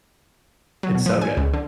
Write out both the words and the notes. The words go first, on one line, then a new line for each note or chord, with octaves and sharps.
It's so good.
F#3
B2
F3
G#5
C#2
D3